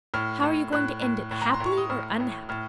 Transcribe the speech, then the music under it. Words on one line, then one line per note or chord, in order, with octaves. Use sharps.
"How are you going to end it--happily or unhappily?"
A2 F6
A2
A2 F#6
A2
A2
A#5
C6
A2
C#6
D#6
A2 F6
A2
A2 F6